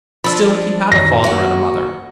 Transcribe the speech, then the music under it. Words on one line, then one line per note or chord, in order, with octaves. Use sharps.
Still, he had a father and a mother.
F3 D4 B5 E6
F#2 D#3 A#6
D#2 F#3 F#4